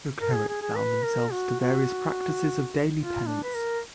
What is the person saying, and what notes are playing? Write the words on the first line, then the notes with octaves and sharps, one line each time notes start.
The Clerics bound themselves to various practices of daily penance.
A#4
G#4
G#4
G#4
B4
A#4
F#4
F#4
F4
D4
B4
A#4